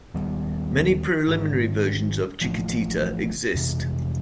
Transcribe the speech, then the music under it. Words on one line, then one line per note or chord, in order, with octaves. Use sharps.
Many preliminary versions of "Chiquitita" exist.
D#2 D#3 G3 B3
G#1 G#2 D#3
A1 A2 F3
F2 C3 E3 G#3